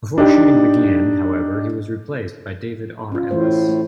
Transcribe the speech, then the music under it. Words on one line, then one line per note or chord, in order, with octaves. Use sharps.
Before shooting began, however, he was replaced by David R. Ellis.
D4 D#4 G4
C#4 F4
A2 E3 A3 C5
A3